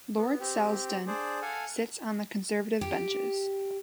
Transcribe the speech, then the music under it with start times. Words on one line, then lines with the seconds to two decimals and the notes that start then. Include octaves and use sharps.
Lord Selsdon sits on the Conservative benches.
0.17 B3
0.40 C4 G4
1.07 D4 G#4 C5 D5
1.42 A4 F5 F#5 G#5
2.81 G4